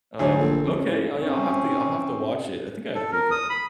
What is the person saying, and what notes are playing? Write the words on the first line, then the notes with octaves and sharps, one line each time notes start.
uh, okay, I yeah, I'll have to I'll have to watch it. I think I have peacock.
D2 F#3 G#5
A#1 A4
F2 C#4
A2
C4 C#4
A4
A#4
D#6
B5